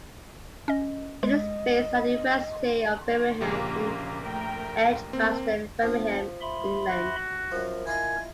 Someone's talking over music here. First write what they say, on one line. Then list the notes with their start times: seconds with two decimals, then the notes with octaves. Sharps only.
It is based at the University of Birmingham in Edgbaston, Birmingham, England.
0.68 C#4 D#5
1.23 G#3 D#5
3.41 A#1 C#3 A#3 G4
4.23 A3 A#4 G5
5.13 A#3 C4
5.82 F3 B3 D4
6.41 E5 B5 C6
6.89 F#4
7.52 F#2 F3 A#4
7.87 E4 F4 D#5 G#5